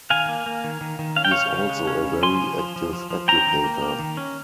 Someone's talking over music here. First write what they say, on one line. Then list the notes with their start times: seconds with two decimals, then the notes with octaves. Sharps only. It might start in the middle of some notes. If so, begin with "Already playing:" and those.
He is also a very active educator.
0.10 D#3 F5 G#5
0.29 A#3
0.46 A#3
0.64 D#3
0.81 D#3
0.99 D#3
1.16 C#4 F5
1.25 G5
1.31 C#4 C#5 F5
1.52 C#3
1.69 G#3
1.87 C#4
2.05 C#3
2.22 F3 G#5 C6
2.41 F3
2.58 F3
2.76 F3
2.93 F3
3.10 F3
3.28 C#4 G5 A#5
3.47 D#3
3.64 A#3
3.81 A#3
3.99 D#3
4.17 C#4